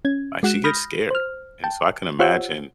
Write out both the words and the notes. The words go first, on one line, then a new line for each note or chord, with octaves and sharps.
like, she gets scared, and so I can imagine
C#4 G#6
G#3 F#4 F#6 E7
B5 D#6 F6 G6 A#6
C5 F6
G5 A5
F4 G4 C5 C#5 F#5 E6